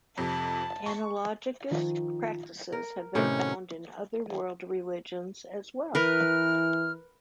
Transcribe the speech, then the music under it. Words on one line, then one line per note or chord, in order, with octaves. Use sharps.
Analogous practices have been found in other world religions as well.
F2 C3 A5
C#6
D#3 F3
A#4
A2 C3 D#3 C#4
E3 A#4 B4 F6